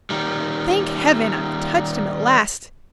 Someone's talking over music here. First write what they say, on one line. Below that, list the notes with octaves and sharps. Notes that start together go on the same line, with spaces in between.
Thank Heaven, I've touched him at last!
D#3 G3